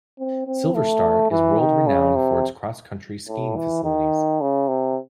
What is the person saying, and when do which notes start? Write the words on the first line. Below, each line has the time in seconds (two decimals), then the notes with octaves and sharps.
SilverStar is world-renowned for its Cross-Country Skiing facilities.
0.19 C4
0.47 C4
0.75 A3
1.31 E3
1.59 D#3
1.87 C#3
2.16 C3
3.28 A2
3.57 E3
3.84 D#3
4.41 C#3
4.68 C3